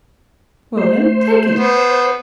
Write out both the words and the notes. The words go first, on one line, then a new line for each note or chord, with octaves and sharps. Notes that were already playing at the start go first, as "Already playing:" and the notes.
"Well, then, take it."
A3 C5
B3